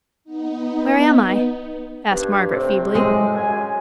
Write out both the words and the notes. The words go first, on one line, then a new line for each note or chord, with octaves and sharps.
"Where am I?" asked Margaret feebly.
B3 D#4
G2
A2 C3
G#3
F#2 G#5